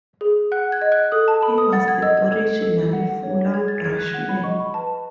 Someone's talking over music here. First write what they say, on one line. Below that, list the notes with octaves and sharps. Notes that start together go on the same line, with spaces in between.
He was the original Fuller Brush Man.
G#4
F#5 F#6
G#6
D#5
F#6
A4 D#6
A5
A4 B5
D#6
F#5 A6
G#6
D#5 E6
G#6
A4 G#6
A4
F#5
C#5
G#4 G#6
A6
G#4 G#6
F#6
F#5 G#6
B5
D#5 C#6
B5
B4 A5